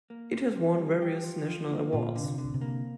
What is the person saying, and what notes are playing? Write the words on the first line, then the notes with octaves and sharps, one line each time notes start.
It has won various national awards.
A#3
C3
C3
G3
G4
F3
F3
A#3
A#2 F4
D3
C3
D3
C3
A#3